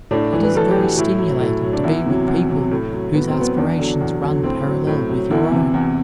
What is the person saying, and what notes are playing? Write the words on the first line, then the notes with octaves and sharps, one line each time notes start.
It is very stimulating to be with people whose aspirations run parallel with your own.
A2 D4
E3
B4
A2 A4
G4
E3
F#4
A2 E4
F#3
A2
F#3
D4
E2 E4
C3 F#3
E2
C3 F#3
A2
F#3
A2 B3
C4
F#3 B3
E2 D4
D3 F#3
E2
D3 F#3
A2 C4
F#3
A2
F#3
E2 E4
C3 E3
E2